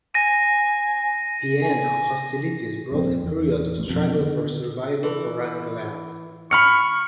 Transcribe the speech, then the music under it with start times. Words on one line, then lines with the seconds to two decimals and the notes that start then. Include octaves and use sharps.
The end of hostilities brought a period of struggle for survival for Ranelagh.
0.14 G#5 A#6 D#7
1.62 G#5
2.92 D#1 F2 G#3 C4
3.24 E2
3.78 A1
3.89 F2 B2
4.15 D3 D#3 B3
5.03 E3
6.51 B5 C#6 F6 C#7